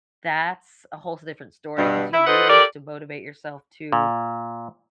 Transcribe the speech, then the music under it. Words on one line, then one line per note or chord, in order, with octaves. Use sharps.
That's a whole different story 'cause you really have to motivate yourself to
G2 B2
E4
F4 A4 B4 C5 D#5 F#5
G4 A4 A#4 D5
A#2